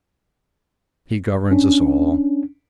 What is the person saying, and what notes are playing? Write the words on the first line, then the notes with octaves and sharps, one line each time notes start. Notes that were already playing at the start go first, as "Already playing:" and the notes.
He governs us all.
C#4 D4